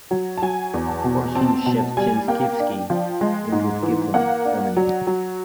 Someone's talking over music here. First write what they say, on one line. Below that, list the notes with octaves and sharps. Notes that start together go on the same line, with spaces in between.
Korsun-Shevchenkivskyi is twinned with Gifhorn, Germany.
F#3
A5
F#3 G#5
E2
A5
B2
C4 A5
B2 A5
G3 G#5
A#3 G5
D4
F3
G#3
G#2
E3
A#3 F#5
D4
F#3
F#3